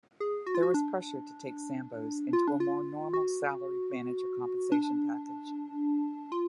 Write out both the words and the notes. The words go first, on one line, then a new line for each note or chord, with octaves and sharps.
There was pressure to take Sambo's into a more normal salaried manager compensation package.
G#4
F#4
F4
F#4
D4
F4
D4
F4
F#4
D4
F4